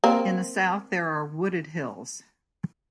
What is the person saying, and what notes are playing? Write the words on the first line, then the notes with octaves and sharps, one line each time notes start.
In the south there are wooded hills.
A#3 C4